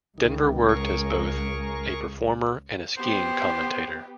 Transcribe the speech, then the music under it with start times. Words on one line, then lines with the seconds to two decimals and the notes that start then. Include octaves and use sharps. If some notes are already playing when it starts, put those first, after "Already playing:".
Denver worked as both a performer and a skiing commentator.
0.18 C#2 D#3
0.69 G#4 A#4 C#6
2.97 B3 G4 C5